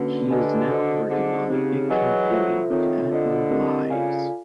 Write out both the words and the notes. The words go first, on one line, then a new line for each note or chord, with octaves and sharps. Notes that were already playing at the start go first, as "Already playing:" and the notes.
He is now working on a big campaign to add more lies.
Already playing: D3 A#3 C#4 F#4 B4
D3 G4 B4 D#5 G#5
F#4 A4 C5 D#5
D3 C4 D#4 G#4 C5 D#5
C#3 C4 D#4 G4
E3 F#3 G#4 B4 D#5 G#5
F4 A4 C5 E5
D#3 C4 F4 A4 C#5 E5
D3 F4 A4 C5 D#5
C4 E4 G4 A#4 D#5
C#3 F4 A4 D5 F5 G#5